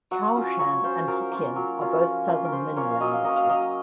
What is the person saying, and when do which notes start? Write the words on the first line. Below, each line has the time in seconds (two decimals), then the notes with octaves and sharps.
Chaoshan and Hokkien are both Southern Min languages.
0.11 F#3 F#5
0.36 C#4 F4
0.59 F#3 C#5
0.83 C#4 F4 C5
1.08 F#3 A#4
1.31 A#3 C#4 F4
1.56 F#3
1.79 A#3 C#4 F4
2.04 F3
2.28 A#3 C#4 F4
2.45 A#4
2.52 F3 C5
2.76 A#3 C#4 F4 C#5
2.91 F5
3.00 F#3 D#5
3.13 F5
3.25 A#3 C#4 D#5
3.36 F5
3.49 F#3 D#5